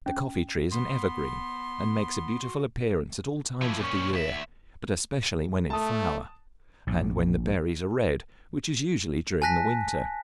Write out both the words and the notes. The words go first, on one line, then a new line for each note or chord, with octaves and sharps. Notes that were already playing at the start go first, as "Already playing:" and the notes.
The coffee-tree is an evergreen, and makes a beautiful appearance at all times of the year, but especially when in flower, and when the berries are red, which is usually during the winter.
C#4
B3 C6
F#4
F3 E4
A#2 C#4
D2 E5
A3 A5 D#6
A#1 A2
G#5 A5 F#6 A#6 B6